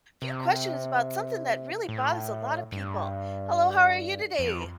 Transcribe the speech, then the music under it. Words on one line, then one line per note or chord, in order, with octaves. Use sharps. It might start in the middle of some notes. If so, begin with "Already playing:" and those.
few questions about something that really bothers a lot of people. Hello, how are you today?
C3
A2
G2
F2